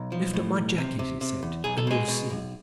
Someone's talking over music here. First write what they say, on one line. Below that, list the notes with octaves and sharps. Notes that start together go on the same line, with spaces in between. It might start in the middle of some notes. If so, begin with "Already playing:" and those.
"Lift up my jacket," he said, "and you'll see."
Already playing: B1
F3
A2
B1
C3
C3
C3
E2
B1 G#4
A4
B2 G#3 G#4
B2
B1